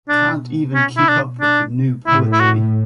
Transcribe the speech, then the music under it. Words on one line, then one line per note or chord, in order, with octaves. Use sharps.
Can't even keep up with the new poetry.
B2 D4
C#4
E4
D4
D4
A2 E4
E4
F#4